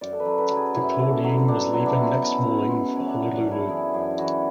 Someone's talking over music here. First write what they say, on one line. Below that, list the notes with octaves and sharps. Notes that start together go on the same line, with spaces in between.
The Claudine was leaving next morning for Honolulu.
F#2 D5
A4
B4
F#3
B4
F#3
G#4
F#2 E4
D3
F#3
B2 D4
F#3
E4
D4
F#3
B3
B2 C#4
B2
F#3
E3 C#4
D4
C#4
F#2
D4
F#2
E4
E3 G#4
F#2 G#4
E3 F#4